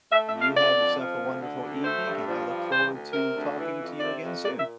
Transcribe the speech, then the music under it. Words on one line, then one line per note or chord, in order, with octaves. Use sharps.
You have yourself a wonderful evening, and I look forward to talking to you again soon.
A3 E5
E5
F2
F5
D3 D5
F2
F3
D2
D3
D2
A3 C5
G2
F3
G2
E3 C5
D2
C3 A#4
D2
E3
F2
C3 D5
F2
A#2 D5
E5